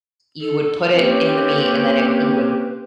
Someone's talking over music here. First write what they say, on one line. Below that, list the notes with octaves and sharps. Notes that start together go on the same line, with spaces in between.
you would put it in the meat, and then it you would
A4
A#3 C4 C#4 G4 B4